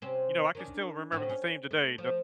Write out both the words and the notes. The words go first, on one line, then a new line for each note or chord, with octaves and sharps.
you know, I can still remember the theme today.
C3 C4 C#4
D#3 C#4 D4
A2 C4 F#4
C#4
A3
F3